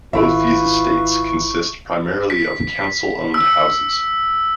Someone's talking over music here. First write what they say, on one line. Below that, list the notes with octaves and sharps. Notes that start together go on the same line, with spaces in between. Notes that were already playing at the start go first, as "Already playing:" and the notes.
Both these estates consist primarily of council-owned houses.
G#1 E4 F4 B4 E5 C#6
B6
E6